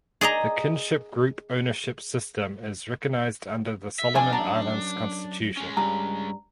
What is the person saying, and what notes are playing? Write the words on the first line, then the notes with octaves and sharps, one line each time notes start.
This kinship group ownership system is recognised under the Solomon Islands Constitution.
G#4 D5 D#5 A#5
E5
F2 D4 G#5
F#2 A5 A#5
G#3 C#4
G2 A#5